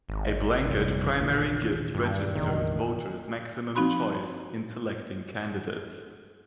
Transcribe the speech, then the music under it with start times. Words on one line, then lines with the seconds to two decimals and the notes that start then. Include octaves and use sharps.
A blanket primary gives registered voters maximum choice in selecting candidates.
0.09 G#1
0.66 F1 C2
1.19 D#2 A#2 E3
1.95 G2
2.35 F1 A#1 E2 D#3
3.75 F3 C4 D#4 F#4 B5 C6